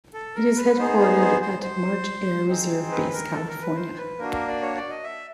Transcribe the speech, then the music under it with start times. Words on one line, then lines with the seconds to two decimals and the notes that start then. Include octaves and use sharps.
It is headquartered at March Air Reserve Base, California.
0.14 A4
0.35 A#4
0.56 B4
0.78 B3 D#4 G#4 C5
0.99 C5
1.21 C5
1.42 C5
1.62 C5
2.48 C4 D#4 G#4
2.92 B4
3.13 A#4
3.33 A4
3.48 A#4
3.62 B4
3.76 C5
3.98 B4
4.19 A#3 D4 F#4 A#4
4.33 A#4
4.48 D5
4.62 C#5
4.76 D5
4.90 D#5
5.04 E5